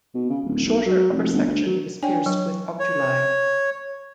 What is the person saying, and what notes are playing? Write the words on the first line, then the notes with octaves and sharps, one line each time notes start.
The shorter upper section is pierced with oculi.
B2
C#3
D1
B1
F#3
F1
G1
D2
F#3
D4 C#5 G5 G#5
F#3 C#5
C#5